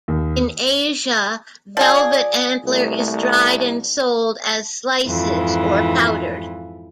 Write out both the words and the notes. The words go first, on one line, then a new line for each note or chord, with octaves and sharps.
In Asia velvet antler is dried and sold as slices or powdered.
D#2
F3 G#4 D5
C2 A3
F2 G#2 E3